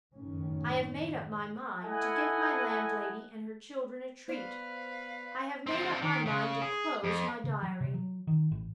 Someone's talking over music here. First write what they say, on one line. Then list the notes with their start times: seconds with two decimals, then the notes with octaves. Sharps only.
I have made up my mind to give my landlady and her children a treat; I have made up my mind to close my Diary.
0.15 F#1 F2 A2 D#3 C#4
1.83 E4 A4 D#5 F#5 G#5
4.28 B3 B4 C5 D5 F5
5.67 C4 D4
6.02 D#3
6.26 C#3
6.62 G#4
7.04 F2
7.44 C#3
7.63 F#3
7.81 C3
7.94 F#3
8.27 D#3
8.51 A1